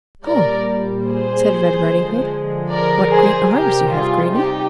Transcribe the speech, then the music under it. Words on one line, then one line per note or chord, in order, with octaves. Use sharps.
"Oh!" said Red Riding-Hood, "what great arms you have, Grannie!"
A#2 G3 A#4 D5
G#4 C5
D3 F3 G#3
A#4 D5
G#4 C5
C3 G3 G4 A#4
F4 G#4
D#4 G4